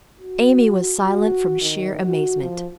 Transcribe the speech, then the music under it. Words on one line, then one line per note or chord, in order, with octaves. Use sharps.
Amy was silent from sheer amazement.
F#4
F#4
D#3
F#4
F3